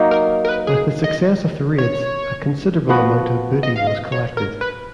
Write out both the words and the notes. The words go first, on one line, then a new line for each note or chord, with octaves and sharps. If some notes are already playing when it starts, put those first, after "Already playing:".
With the success of the raids, a considerable amount of booty was collected.
Already playing: F#3 A#3 D#4
A#4
A#4
B4
G#4
D#5
C#5
F3 B3 F#4
D#5
F5
D#5
C#5
A#4
B4